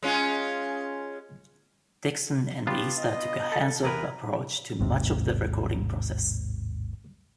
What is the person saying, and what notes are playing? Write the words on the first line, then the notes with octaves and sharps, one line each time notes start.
Dixon and Easter took a hands-off approach to much of the recording process.
G#3 C#4 F4
B3 D4 F4 G4
D#5
A4
E2 G#4 A#4 B4
A1 D#2 G#2 C3